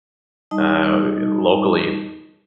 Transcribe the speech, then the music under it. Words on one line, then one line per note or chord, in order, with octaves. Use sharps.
uh, eh, locally.
G3 D#4 D#5 A5